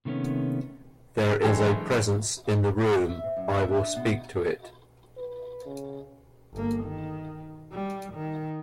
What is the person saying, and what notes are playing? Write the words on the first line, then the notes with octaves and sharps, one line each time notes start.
There is a presence in the room; I will speak to it.
C3 D#3 A3 B3 C#4
F#1 E3 G#3 D4 A4 G5
E5
C4
F#2
E5
D4
D4
B2
B4
C#3
G1 A#3
D#3
G3
D#3